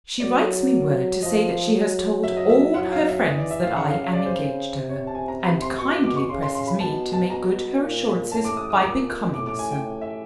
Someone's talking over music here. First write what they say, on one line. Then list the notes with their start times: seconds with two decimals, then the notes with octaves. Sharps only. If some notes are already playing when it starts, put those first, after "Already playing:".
"She writes me word to say that she has told all her friends that I am engaged to her, and kindly presses me to make good her assurances by becoming so."
0.20 F#3 D5
1.22 F3 D#5
1.73 F#3
2.23 E5
2.37 D#5
2.50 E5
2.74 F#3 F#5
2.92 F5
3.08 E5
3.25 E3 D#5
3.38 D5
3.51 E5
3.63 F5
3.76 C#3 F#5
3.89 F5
4.13 D5
4.26 C5
4.77 C3 C5
4.89 C#5
5.07 A5
5.15 G#5
5.28 A#5
5.45 B5
5.62 C6
5.78 B2 C#6
5.92 D6
6.04 D6
6.16 C#6
6.29 C#3 C6
6.42 C6
6.55 C6
6.67 B5
6.80 B2 A5
7.13 A5
7.30 A#5
7.82 A#2
8.32 A2 A5
8.44 D6
8.57 D#6
8.70 D#6
8.82 A#2 D6
9.34 A2 D6
9.46 D6
9.59 G#5
9.72 G5
10.01 E5